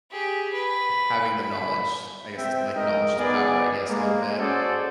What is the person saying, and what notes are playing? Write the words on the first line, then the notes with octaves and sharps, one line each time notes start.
having the knowledge, I guess is, like, knowledge is power, I guess, a little bit,
G4 G#4
B4
B5
C4 E5 G5
G#3 D#4 A#4 D#5
B3 G#4 D5
G#3 A#3
C#4 F#4 G#4 A4 C5 D5